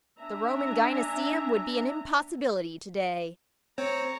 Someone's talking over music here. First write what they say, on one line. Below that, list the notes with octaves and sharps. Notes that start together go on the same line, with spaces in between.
The Roman Gynaeceum would be an impossibility to-day.
B3 D4 E5 G#5 A#5
C4 C5 C#5 A#5 C#6